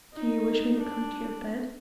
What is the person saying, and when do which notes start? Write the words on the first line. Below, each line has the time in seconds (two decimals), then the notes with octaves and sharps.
"Do you wish me to come to your bed?"
0.14 D#4
0.77 D4